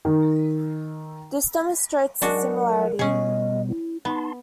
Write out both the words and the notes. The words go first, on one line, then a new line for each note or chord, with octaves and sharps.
This demonstrates the similarity.
D#3
F#3 G#3 D4 F#4 A#4 F#5
B2 G3 B3 C#4 G#4 D#5
E4
B3 D#4 A5 C6